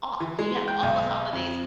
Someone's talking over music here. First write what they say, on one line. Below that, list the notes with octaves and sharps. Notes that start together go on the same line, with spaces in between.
off, you have all the holidays
E3
G#3
G5
B1
F2